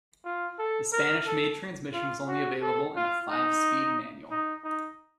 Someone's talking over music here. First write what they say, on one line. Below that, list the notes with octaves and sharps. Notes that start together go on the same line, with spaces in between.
The Spanish-made transmission was only available in a five-speed manual.
F4
A4
A#4
A4
F4
F#4
A4
F4
D#4
D#4
D#4